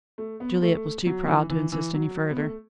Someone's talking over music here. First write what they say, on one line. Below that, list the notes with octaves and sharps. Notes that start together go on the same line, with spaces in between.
Juliette was too proud to insist any further.
A3
B3
A3
F#3
F#3
E3
E3
E3
F#3
B3
A3